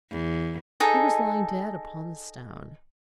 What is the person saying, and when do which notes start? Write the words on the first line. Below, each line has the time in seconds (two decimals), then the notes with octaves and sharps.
He was lying dead upon the stone.
0.11 E2
0.80 D#4 G#4 A4